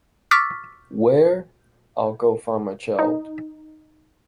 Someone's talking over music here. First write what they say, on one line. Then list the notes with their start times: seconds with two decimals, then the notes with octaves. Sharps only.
Where? I’ll go find my child.
0.31 C#6 D6 E6 F6 A6 B6
2.99 D#4